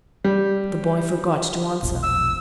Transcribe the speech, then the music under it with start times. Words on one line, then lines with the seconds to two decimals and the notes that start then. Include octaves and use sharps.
The boy forgot to answer.
0.24 G3
1.83 E1 A#1
2.03 E6